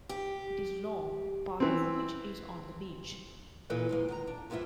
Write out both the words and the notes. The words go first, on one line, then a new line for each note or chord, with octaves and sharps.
It is long, part of which is on the beach.
G4
E3 C4
A#2 E3 A4 B4 D#5
F3 G#3 A#3
D#3 F#5 A#5
D4
F2 G#2 B3 E4 F4 E5